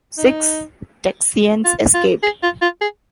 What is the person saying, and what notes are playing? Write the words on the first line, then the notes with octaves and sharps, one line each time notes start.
Six Texians escaped.
D#4
F4
F4
G#4
F4
F4
G#4